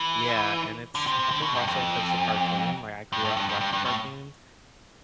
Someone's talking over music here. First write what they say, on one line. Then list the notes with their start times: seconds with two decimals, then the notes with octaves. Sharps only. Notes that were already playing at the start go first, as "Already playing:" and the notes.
Yeah, and it's I think also 'cause it's a cartoon, like, I grew up watching cartoons,
Already playing: E3
0.95 D3
1.07 C3
1.19 C3
1.31 D3
1.43 B2
1.55 G2
1.68 F2
3.12 G2
3.25 A2
3.37 G2
3.49 G2
3.61 G2
3.73 G2
3.85 A2